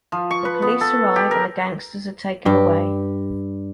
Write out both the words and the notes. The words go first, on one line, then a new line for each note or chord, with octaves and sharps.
The police arrive and the gangsters are taken away.
F3
C#6
B4
B3
A4
G4
A#4
G2 G4